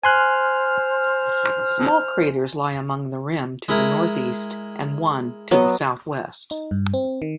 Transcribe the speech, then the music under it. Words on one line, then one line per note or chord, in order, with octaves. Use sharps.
Small craters lie along the rim to the northeast and one to the southwest.
C5 G#5 C6 F6 F#6
G#3 E4 A#4
F#3 B3 D#5
D#4
G2
C4
D#3